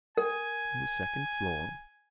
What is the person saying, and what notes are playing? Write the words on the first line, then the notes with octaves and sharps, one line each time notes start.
"On the second floor?"
A#4 G#5